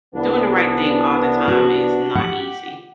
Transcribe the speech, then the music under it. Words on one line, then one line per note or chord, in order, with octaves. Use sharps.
doing the right thing all the time is not easy,
C2 E3 B3 D4
F#4
G4 F#5